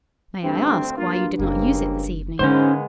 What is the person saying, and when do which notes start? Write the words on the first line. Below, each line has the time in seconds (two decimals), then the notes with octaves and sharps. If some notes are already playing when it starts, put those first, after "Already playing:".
"May I ask why you did not use it this evening?"
0.43 D2 G2 C4
0.97 G2 A#3 F4
1.39 F#1 C#2 A#3 C4
2.39 G#2 D3 G#3 A#3 B3 C#4 C5